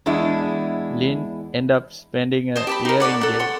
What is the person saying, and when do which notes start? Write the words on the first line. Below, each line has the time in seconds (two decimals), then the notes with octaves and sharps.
Lind ended up spending a year in jail.
0.06 E2 G#3 D4 E4
2.56 C5 D#5 A5
2.67 G4 A5 B5
2.85 D#4 A#4
3.00 A4 C#5 D5 F#5
3.21 A4 F#5
3.39 C#5 F#5 C6